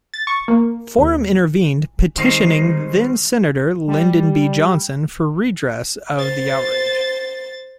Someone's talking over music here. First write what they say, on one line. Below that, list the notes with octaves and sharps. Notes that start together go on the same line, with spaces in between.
Forum intervened, petitioning then-senator Lyndon B. Johnson for redress of the outrage.
A6
C#6
A#3
D#2
D#3 G3 G#3 C4 D#4
G3
C5 A6